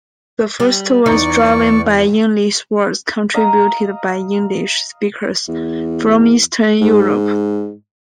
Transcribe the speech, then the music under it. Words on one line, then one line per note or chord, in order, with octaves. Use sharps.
The first was driven by Yinglish words contributed by Yiddish speakers from Eastern Europe.
G3
E2 D#4 D5 C#6
D#5 F5 A#5
E2
G#2